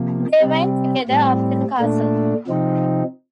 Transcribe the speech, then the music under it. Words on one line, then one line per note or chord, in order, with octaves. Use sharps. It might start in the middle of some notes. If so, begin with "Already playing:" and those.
They went together up to the Castle.
Already playing: C3 F3 A#3
C3 G3 C4
A2 G3 C4
A#2 A3 D4
C3 F3 C4 D#4